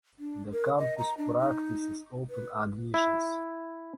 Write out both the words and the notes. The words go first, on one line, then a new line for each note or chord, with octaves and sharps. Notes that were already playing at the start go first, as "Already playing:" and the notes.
The campus practices open admissions.
D4
A#4
D#5
A#5
D4
D#4
B4
E4